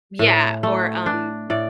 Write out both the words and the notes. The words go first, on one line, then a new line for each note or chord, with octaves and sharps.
Yeah. Or, um
A2
A3
D4
A2 D5